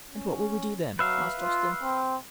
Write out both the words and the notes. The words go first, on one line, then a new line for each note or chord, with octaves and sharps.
"And what will we do then?" asked Austin.
C#4
F#3 B4 E5 F5
F4
C4